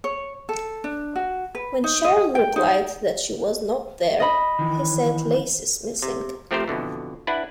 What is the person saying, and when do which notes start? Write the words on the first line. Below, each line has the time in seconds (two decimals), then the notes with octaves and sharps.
When Sharon replied that she was not there, he said, Laci's missing.
0.04 C#5
0.49 A4
0.84 D4
1.16 F#4
1.55 B4
1.84 D#4
2.05 D#5
2.35 G5
2.56 D#4
4.20 D#5 B5
4.59 D#3 E3
6.03 C3
6.51 F3 A3 C4 G4 A#4 C5
6.68 F2 B2 D3 E3
7.27 D4 E4 B4 F#5